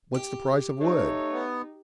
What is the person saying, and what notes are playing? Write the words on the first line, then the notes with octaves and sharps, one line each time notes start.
"What's the price of wood?"
G4
A3 D#4 C#5
B3